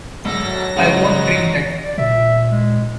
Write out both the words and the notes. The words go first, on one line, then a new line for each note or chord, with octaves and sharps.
I won’t drink that.
G#1 D2 G#2 F#3 A4 A#6
C#3 G#3 D#4 F#4 C5 F#5
D5
A#2 E5
G#3